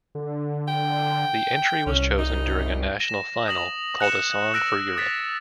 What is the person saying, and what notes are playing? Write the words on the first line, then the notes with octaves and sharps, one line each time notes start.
The entry was chosen during a national final called A Song for Europe.
D3
G5
C2 C#4
D#4
A#6 E7
D#6 A#6 F#7
F#6 C#7 E7
E6 F#6 A#6 C#7 D7
D#6 A6 B6